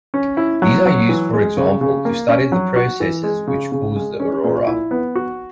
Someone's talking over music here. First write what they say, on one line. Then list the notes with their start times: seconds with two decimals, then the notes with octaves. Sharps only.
These are used for example to study the processes which cause the aurora.
0.14 C#4
0.37 E4
0.62 F#3
0.86 F#3
1.09 E3
1.34 G#3
1.57 C#3
1.81 C#3
2.05 A#3
2.28 C#4
2.52 F#3
2.76 F#4
3.00 E3
3.24 G#3
3.47 C#3
3.72 C#3
3.96 G#3
4.20 C#4
4.44 A#2
4.67 E4
4.91 B3
5.16 F#4